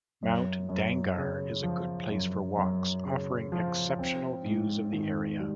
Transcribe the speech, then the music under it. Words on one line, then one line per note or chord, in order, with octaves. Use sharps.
Mount Dangar is a good place for walks, offering exceptional views of the area.
F#2
F#2
C#3
F3
F#2
F#2
C#3
F3
C4
G#2
D#3
G3